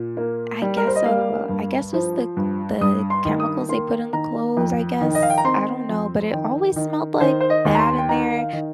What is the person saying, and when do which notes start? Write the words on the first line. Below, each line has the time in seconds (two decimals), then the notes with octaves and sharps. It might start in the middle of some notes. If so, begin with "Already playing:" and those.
I guess so. I guess it's the c the chemicals they put in the clothes, I guess. I don't know, but it always smelled, like, bad in there.
Already playing: A#2
0.17 A#3
0.62 G3
0.77 A#4
0.87 C5
0.95 D#5
1.06 A#3 F5
1.49 G2
1.93 F3 C5
2.37 G2
2.81 G2 D#6
3.10 C6
3.25 D#3
3.40 D#6
3.69 A#3 C6
4.13 D#3 A#5
4.57 F2
5.01 D#3
5.15 D#5
5.23 F5
5.30 G5
5.38 A#5
5.45 C4 C6
5.89 F2
6.33 D#3 G5
6.76 D#3
7.21 D#3 C5
7.41 C5
7.50 D#5
7.65 D#2
7.75 A#5
7.79 C6
7.98 G5
8.09 D#3 A#5
8.38 F5
8.53 D#3